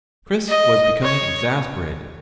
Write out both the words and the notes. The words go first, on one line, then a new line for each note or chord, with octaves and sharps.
Chris was becoming exasperated.
D#5
C#5